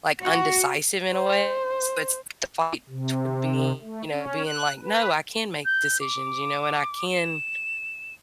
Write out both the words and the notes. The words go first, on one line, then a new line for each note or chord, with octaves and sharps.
like, indecisive, in a way, so it's the fight toward being, you know being like, "No, I can make decisions, you know, and I can
F#4
C5
C3
A3
C#4
F#6
B4
G6
D6
E7